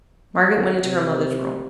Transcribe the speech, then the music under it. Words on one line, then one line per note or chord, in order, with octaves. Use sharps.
Margaret went into her mother's room.
C3